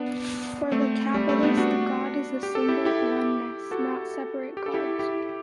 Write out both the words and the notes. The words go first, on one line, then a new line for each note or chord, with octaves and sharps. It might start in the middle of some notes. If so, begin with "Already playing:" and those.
For the Kabbalist, God is a single oneness, not separate "gods".
Already playing: B3 D4
A3 C4
G3
A3 C4
B3 D4
D4 F#4
G4
A4
E4 G4
E4 G4
F#4 A4
G4
A4
E4 G4
E4 G4